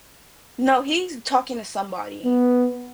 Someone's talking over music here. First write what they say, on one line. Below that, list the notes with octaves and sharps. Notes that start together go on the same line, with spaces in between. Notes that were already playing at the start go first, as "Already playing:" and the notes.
No. He's talking to somebody.
B3